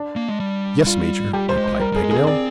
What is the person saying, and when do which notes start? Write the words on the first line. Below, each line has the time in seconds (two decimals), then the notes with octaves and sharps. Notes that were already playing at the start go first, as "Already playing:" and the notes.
"Yes, Major," replied Paganel.
Already playing: D4
0.16 A#3
0.29 G#3
0.40 G3
0.87 F4
1.33 G3 G4
1.48 G3 C5
1.57 G#3
1.64 C5
1.80 G3 A#4
1.92 G3 G#4
2.04 G#3
2.11 C4 G#4
2.27 C4 D5